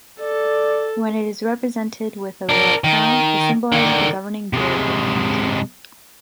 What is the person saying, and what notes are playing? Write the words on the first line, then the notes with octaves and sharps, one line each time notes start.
When it is represented with a royal crown, it symbolizes the governing board of the county.
A4 D5
D4 A#4
D#3
D3 D#3
C3 G#3